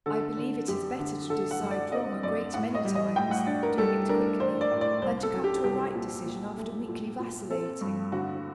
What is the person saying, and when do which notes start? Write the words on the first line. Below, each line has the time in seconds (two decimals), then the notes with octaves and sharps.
I believe it is better to decide wrong a great many times--doing it quickly--than to come to a right decision after weakly vacillating.
0.06 D3 A4
0.37 D3
0.68 F#2 G4
0.99 D3
1.30 D3 A4
1.51 F#5
1.61 F#2
1.71 D5
1.92 C4 D#5
2.23 F#2 D5
2.54 A2 F#5
2.75 D#5
2.85 G3
2.95 D#5
3.16 A2 G5
3.31 F#5
3.47 D4 D5
3.63 A#4
3.78 G3 A4
4.09 D4 A#4
4.40 D4 C5
4.61 D5
4.71 A2
4.81 D5
5.02 C2 C5
5.23 A4
5.33 F#3
5.44 G4
5.64 C2 G4
5.95 A#2
6.26 A#2
6.57 A3
6.89 A#2
7.19 A#2
7.50 C4 A4
7.81 G2
8.12 D3 F#4